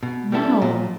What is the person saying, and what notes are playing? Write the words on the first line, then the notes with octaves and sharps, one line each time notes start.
But now!
B2
G3 B3 E4 A4
A#2